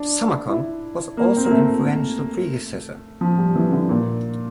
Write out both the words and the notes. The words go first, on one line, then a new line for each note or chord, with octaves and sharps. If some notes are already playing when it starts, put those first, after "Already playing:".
Summercon was also an influential predecessor.
Already playing: D4
E4
A#3
C4
A#3
A3
F3
G3
E3
D3
A#2